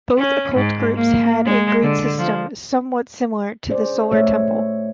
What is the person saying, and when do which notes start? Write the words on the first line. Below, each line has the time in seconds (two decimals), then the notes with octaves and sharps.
Both occult groups had a grade system somewhat similar to the Solar Temple.
0.18 C#4
0.55 G#2
0.95 A#3
1.46 G#3
1.82 D3
2.18 F3
3.69 C#4 G#4 C5 D5
4.12 A3 C#5 E5